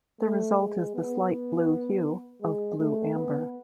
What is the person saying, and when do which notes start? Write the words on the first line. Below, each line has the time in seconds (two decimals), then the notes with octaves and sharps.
The result is the slight blue hue of blue amber.
0.20 A3
0.58 G#3
0.95 B3
2.42 G#3
2.79 A3
3.15 B3